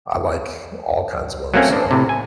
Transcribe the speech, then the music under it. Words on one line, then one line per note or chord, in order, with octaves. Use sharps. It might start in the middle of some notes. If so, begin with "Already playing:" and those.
I like all kinds of 'em, so,
F#3 A3 A#3 C4 C#4
B3 D4
A2 C3
G#5